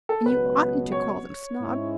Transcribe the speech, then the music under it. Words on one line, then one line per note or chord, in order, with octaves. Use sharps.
And you oughtn't to call them snobs.
A4
C#2 B2 F#3 B3 B4
C#5
G#2 G#3 C#4 E4